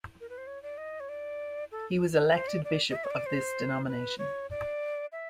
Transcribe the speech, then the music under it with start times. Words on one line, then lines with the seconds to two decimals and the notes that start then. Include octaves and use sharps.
He was elected bishop of this denomination.
0.21 A#4
0.29 B4
0.38 C5
0.47 C#5
0.63 D5
0.78 D#5
1.00 C#5
1.09 D5
1.72 A4
2.32 C5
2.48 D5
2.64 D5
2.91 D#5
2.95 E5
3.04 C#5
3.11 D5
3.26 C5
3.87 B4
4.19 C#5
4.50 D5
5.12 E5